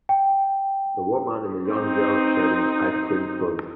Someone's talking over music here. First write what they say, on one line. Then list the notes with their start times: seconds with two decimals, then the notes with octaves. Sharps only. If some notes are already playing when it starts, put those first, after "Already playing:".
A woman and a young girl sharing ice cream cones.
0.09 G5
1.70 C4 D#4